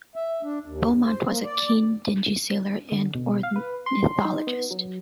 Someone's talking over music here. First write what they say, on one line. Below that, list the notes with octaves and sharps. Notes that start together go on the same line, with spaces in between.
Beamont was a keen dingy sailor and ornithologist.
E5
D4
D#2
G2
C5
A#3
D5
D3
B2
F5
B4
C6
D#4
B3
F#3